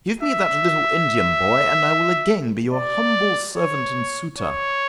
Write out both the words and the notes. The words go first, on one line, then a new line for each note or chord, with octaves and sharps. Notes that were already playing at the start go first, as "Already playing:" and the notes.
"Give me that little Indian boy, and I will again be your humble servant and suitor."
E5
D5
C#5
C#5